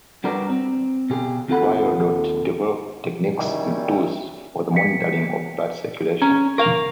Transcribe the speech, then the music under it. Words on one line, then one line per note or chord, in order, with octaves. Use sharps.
Vierordt developed techniques and tools for the monitoring of blood circulation.
G3 D4 F#4 A#4 B4 D5
C4
B2 G4 G#4
D#2 C4 F4 A4 F#5 B5
D#3 G3 C#4 D#4 E4
B6 C#7
C#4 A#5
A#4 F5 C#6 F7